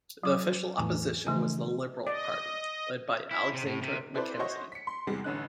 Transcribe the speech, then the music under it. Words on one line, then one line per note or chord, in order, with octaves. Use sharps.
The Official Opposition was the Liberal Party, led by Alexander Mackenzie.
F#3 F4 D6
E2 A2 E3 G#5
C#3 E3 F3 A3 D#4 G#5
D5 D#5
E4
C3
A2
C3
C4 E4 A4 B4 C5 D5
F#4 C5 C#5 D#5 E5 C#6
B6 C#7
C6
E2 C3 G3 G#3
A1 D3 C#4 D#4 F#6